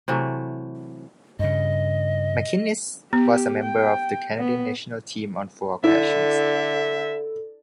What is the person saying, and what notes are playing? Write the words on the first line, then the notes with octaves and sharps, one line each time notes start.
MacInnis was a member of the Canadian national team on four occasions.
C3 E3 F#3 A3
G2 C#3 D#5
B3 G4
G5
B3
D3 E4 A4 E5